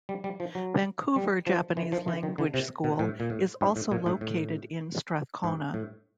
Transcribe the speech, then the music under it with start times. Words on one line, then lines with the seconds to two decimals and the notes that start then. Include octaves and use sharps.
Vancouver Japanese Language School is also located in Strathcona.
0.09 G3
0.24 G3
0.40 F3
0.55 F#3
1.16 G3
1.47 F3
1.77 E3
1.92 F3
2.08 E3
2.23 D#3
2.38 D3
2.54 C3
2.84 B2
2.99 A2
3.20 A#2
3.30 A2
3.61 G#2
3.76 A2
3.91 A#2
4.06 A2
4.21 A2
5.44 G#2
5.74 A2